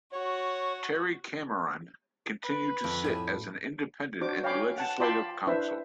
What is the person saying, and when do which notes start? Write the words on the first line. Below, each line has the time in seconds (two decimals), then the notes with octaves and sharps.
Terry Cameron continued to sit as an Independent in the Legislative Council.
0.13 F#4 C#5
2.44 B4
2.84 F2
3.04 A2 G#5 B5
4.21 D4 F#4 C5 D6
4.44 C#5 F5 G5 G#5 B5 D6
4.78 F#5 A5
5.00 F4 D5 G5 A5 B5 C6
5.47 D4 E4 B4 C5 E5